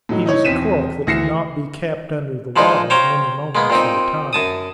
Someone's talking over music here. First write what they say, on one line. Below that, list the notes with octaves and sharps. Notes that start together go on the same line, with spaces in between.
He was a cork that could not be kept under the water many moments at a time.
A2 F#3 D#4
D#4 E4 C#5
E1 C4 B6 D#7 E7
D2 E3 A#6 C7 C#7 E7
E3 F3 G#3 D4 D#4
C5 C#5 F5 G5 A#5
G#3 A#3 B3
A#2 C4 D#4
F#2 A5 D#6